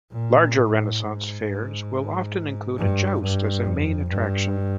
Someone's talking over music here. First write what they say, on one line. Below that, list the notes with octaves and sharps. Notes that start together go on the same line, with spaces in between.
Larger Renaissance fairs will often include a joust as a main attraction.
A#2
A2
G#2
G#2
G2
G2
F2
G2